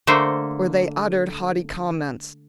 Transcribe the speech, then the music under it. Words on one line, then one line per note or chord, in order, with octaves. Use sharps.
Or they uttered haughty comments.
D3 A3 A#3 C5